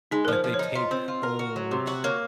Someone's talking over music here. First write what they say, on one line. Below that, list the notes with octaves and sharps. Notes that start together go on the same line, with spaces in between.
like they take old
G#3 D#4
F3 A#4
C5
F3
C#5
D#4
F4 D#5
C4
F4
A#4
F#4
F#3
C3
F#4
A#3 C#5